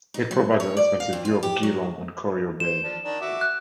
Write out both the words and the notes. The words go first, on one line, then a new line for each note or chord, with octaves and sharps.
It provides an expansive view of Geelong and Corio Bay.
D#4
F#3
C#5
D5
F5
F2
F4
G4
F#3
C5 E7
F3 D4
D#3 D4
F#4 E5 D6
F#6